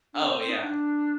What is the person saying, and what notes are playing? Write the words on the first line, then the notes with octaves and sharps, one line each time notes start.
Oh, yeah.
D4
C4
C4
D#4
D4